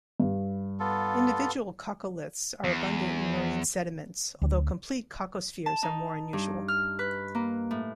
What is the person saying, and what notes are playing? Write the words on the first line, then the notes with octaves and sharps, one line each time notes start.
Individual coccoliths are abundant in marine sediments although complete coccospheres are more unusual.
G2
B3 F4 A4
E2
D2
A5
D#4
G2
F6
B4
A#3
A2